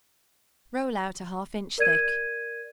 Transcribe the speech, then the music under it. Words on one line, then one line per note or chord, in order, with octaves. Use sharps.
Roll out a half inch thick.
A#4 D5 G#6 D#7